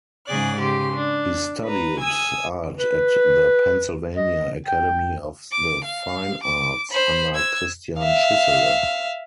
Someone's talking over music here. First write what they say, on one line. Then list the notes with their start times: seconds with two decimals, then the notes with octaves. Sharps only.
He studied art at the Pennsylvania Academy of the Fine Arts under Christian Schuessele.
0.27 G#2 C#3 G#4 D5 F#6
0.59 C#3 G4 C6
0.93 D4
1.64 B4 A#5
2.00 G#5 D#6 E6 G#6
2.77 B4
4.16 D#5
4.66 G5
5.52 D6
5.84 F5
6.43 D6
6.91 C5 B5
7.34 E6 G#6
7.99 E5 F5